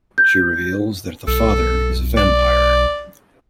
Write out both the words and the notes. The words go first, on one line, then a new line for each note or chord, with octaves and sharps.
She reveals that the father is a vampire.
G6
B1 A4
D5